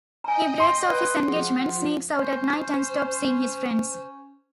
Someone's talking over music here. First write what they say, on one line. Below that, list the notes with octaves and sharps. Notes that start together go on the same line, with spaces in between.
He breaks off his engagement, sneaks out at night and stops seeing his friends.
D#5 G5 G#5 A#5
C6
B4 D5
F3 G#4 F#5
C#4 C5